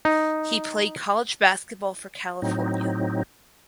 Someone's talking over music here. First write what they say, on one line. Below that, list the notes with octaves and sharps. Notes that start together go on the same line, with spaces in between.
He played college basketball for California.
D#4
A2 F#3 C4 D#4